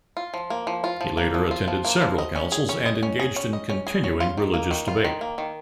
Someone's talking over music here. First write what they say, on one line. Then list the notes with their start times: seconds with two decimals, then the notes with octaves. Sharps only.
He later attended several councils and engaged in continuing religious debate.
0.17 F4
0.34 F3
0.50 A#3
0.67 F3
0.84 F4
1.01 F3
1.17 A#3
1.34 F3
1.51 F4
1.68 F3
1.85 A#3
2.01 F3
2.18 D#5
2.35 C#4
2.52 G#4
2.69 C#4
2.86 D#5
3.03 C#4
3.19 G#4
3.36 C#4
3.53 D#5
3.69 C#4
3.87 G#4
4.04 C#4
4.20 F4
4.38 D#3
4.54 A#3
4.71 D#3
4.88 F4
5.05 D#3
5.21 A#3
5.38 D#3